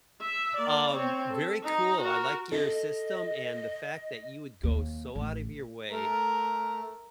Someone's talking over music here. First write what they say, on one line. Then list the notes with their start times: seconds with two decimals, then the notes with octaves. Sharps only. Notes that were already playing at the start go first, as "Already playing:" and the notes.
Um, very cool, I like your system, and the fact that you would go so out of your way
0.21 E5
0.56 A#3 D5
0.93 C4 C#5
1.30 A4
1.63 D#4
2.01 F#4 A#4
2.52 A4 D#5
4.63 D#2
5.15 A1
5.91 A3 A#4